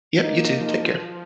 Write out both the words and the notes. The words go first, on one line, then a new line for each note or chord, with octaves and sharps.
Yep. You too. Take care.
A#3 D#4
F3